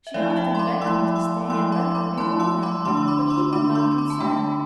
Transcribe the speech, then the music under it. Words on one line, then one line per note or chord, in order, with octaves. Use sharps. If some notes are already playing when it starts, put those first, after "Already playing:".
She often begged him to stay and let her behold him, but he would not consent.
E5
F3 A3 E4 D5 F5
A5
E5 G5
C6
B5 D6
F3 A3 E4 C6 E6
C6 E6
F3 A3 E4 C6 E6
B5 D6
B5 D6
F3 A3 E4 A5 C6
C6 E6
B5 D6
D3 A3 D4 C6 E6
E6
B5 D6
C6 E6
D3 A3 D4 B5 D6
C6 E6
B5 D6
A5
D3 A3 D4 G5 B5